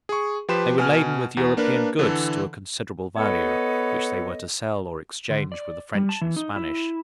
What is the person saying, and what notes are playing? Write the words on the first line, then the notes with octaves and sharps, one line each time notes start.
They were laden with European goods to a considerable value, which they were to sell or exchange with the French and Spanish.
G#4 C#6
F3 G4 B4 C6 E7
B2 G#5 F6
E2
A#3 D4 A#4 B4
D3 E3 A4
B3 A4 B4 C#5 D#5
D3
D5
G3
A5
E3
D#4
E4